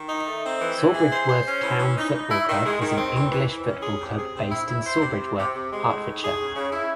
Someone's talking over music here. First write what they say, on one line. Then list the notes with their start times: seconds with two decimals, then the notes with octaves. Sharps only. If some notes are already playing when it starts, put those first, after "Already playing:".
Sawbridgeworth Town Football Club is an English football club based in Sawbridgeworth, Hertfordshire.
Already playing: D#3
0.09 D#4
0.26 A3
0.43 C4
0.60 E3
0.77 E3
0.93 G#4
1.11 C5
1.28 C5
1.45 C#4
1.61 E3
1.78 E3
1.96 D#4
2.13 D#4
2.30 E4
2.47 D#3
2.64 G#3
2.81 D#3
2.98 C4
3.15 E3
3.32 E3
3.49 E3
3.66 C#4
3.82 G#4
3.99 C3
4.16 G#4
4.34 C4
4.51 E4
4.68 E4
4.86 C5
5.01 C3
5.18 C3
5.36 C3
5.53 C3
5.70 G#3
5.87 A2
6.05 D#4
6.22 G#4
6.38 C#3
6.55 C#3
6.72 E4